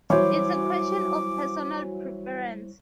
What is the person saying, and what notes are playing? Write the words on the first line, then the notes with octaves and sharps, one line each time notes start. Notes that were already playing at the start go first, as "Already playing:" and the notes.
It's a question of personal preference.
E3 F#3 G3 E4 C5 C#5 D6